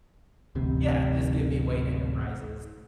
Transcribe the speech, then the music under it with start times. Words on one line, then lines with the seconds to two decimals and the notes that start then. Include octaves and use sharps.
Yeah. Just give me Wayne Enterprises,
0.55 D1 A1 C3